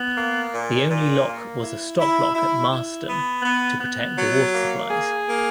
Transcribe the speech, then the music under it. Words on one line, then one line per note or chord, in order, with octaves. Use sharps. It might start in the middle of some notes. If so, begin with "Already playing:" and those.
The only lock was a stop lock at Marston, to protect the water supplies.
Already playing: B3
A#3
A#2
A#2
A#3
E4
E4
E4
E4
B3
B3
B3
F#3
A#3
G#4
A#3